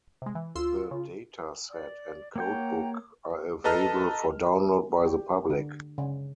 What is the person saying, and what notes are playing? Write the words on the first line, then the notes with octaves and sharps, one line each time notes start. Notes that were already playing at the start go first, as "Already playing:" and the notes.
The dataset and codebook are available for download by the public.
C3 G#3
E3
D2 F4 C6 E6
C#3
D5
A#3 C#5 F#5 G5 A#5 G6
A4 B4 D#5 A5 A#5 F6
G4
D3
C#3